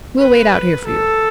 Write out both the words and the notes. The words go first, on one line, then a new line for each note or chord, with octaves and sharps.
"We'll wait out here for you."
B4
A4